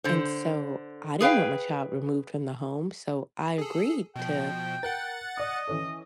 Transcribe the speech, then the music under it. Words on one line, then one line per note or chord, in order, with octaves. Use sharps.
and so, I didn't want my child removed from the home, so I agreed to
D3 C5
G#4 B4 F5 G5
G#4 A4
B2 F3 G5
A#4 F#5 F#6 A6
D5 D#5 D#6
E3 C#4 A4